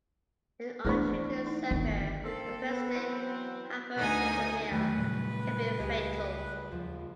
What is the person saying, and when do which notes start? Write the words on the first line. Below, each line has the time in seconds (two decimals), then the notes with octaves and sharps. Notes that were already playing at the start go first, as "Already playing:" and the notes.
An untreated severe and persistent hypoglycemia can be fatal.
0.85 E2 A3 D4 G#4 C5 C#6
1.47 D#4
1.71 G1 D#3
2.24 A#3 C4 A4
2.63 B3
2.94 E3 F#3 C4
3.96 D2 D#4 G#5 D#6
4.71 E2 D#3 F#3 A3 B4
4.97 A#2 C#3 G3
5.79 C#2 G4 G#4 D#5
6.72 D#2 F3